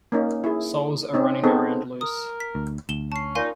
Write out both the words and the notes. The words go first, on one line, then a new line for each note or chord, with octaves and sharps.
Souls are running around loose.
A#3 C#4 D#4
E4 G#4
C4 C#4 D#4
B3 C4 D#4 G#4 A4
A#4 D#6
B6
D2
D2 E7 G7
C#4 A5 C7
A#2 D#4 F5 G#5 C6